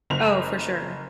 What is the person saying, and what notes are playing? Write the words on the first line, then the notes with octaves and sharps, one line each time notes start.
Oh, for sure.
F#1 F7